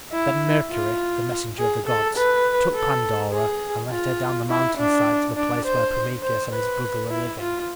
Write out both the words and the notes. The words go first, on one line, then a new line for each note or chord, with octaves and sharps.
Then Mercury, the messenger of the gods, took Pandora and led her down the mountain side to the place where Prometheus and his brother were living.
E4
F4
G#4
A4
B4
A4
G#4
F4
E4
D4
D4
C5
C5
B4
E4
F4